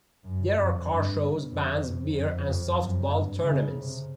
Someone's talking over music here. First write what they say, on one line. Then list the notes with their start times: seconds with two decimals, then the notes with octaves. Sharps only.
There are car shows, bands, beer, and softball tournaments.
0.24 F#2
0.56 F2
0.89 G2
1.51 F2
1.83 F2
2.14 F2
2.47 F2
2.78 F#2
3.10 G2
3.42 C#3
3.73 C3